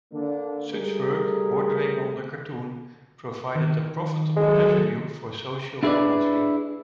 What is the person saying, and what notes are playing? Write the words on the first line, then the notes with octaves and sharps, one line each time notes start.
Such work, bordering on the cartoon, provided a profitable avenue for social commentary.
D3 A#3 D4
G3 A3 G#4 A#4
D#3
F#3 G#3 A4
D4 E4 G#4 A#4 B4 D5